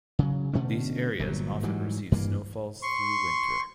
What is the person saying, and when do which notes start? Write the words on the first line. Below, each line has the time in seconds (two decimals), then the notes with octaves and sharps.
These areas often receive snowfalls through winter.
0.19 C#3 F#3
0.53 B2 D3 A3 C#4
1.19 G1 A#2 F#3
1.63 G#2 E3 F#3 G3
2.12 G2 E3 A#3
2.83 C6 C#6